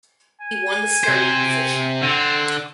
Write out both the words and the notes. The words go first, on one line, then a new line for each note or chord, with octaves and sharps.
He won the starting position.
G#5
C3 C5
D3 C4